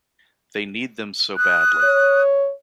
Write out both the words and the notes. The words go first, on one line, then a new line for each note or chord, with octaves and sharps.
They need them so badly.
D#6 F#6
C#5